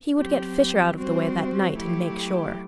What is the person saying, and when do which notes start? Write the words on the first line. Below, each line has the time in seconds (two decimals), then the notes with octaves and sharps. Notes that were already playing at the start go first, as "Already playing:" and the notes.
He would get Fisher out of the way that night and make sure.
0.17 F#3 C4 G4
0.96 G3 C4 F#4 C5
1.76 F#3 A3 E4 G4